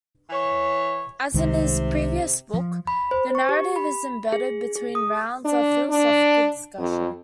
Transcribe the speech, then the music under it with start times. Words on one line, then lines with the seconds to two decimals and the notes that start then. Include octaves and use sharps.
As in his previous book, the narrative is embedded between rounds of philosophical discussion.
0.30 E3 C#5
1.34 C2 C3 D#3 G#3
2.54 F3
2.87 B5
3.11 C5
3.35 C#6
3.49 G4
3.76 B5
4.32 G#4
4.76 G#4
4.95 D#6
5.45 D4
5.90 D4
6.78 F2